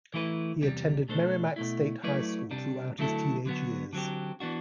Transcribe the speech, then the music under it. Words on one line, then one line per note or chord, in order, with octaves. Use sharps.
He attended Merrimac State High School throughout his teenage years.
E3 A3 E4 B4
E2 C3 G3
B2 A3 D4 A4 C5
B2 A3 E4
F#3 A3 E4 B4 D5
C3 G3 D4
D3 F#3 A3 E4 A4
D3 F#3 B3 F#4
D3 F#3 C4 G4
E3 B3 D4 F#4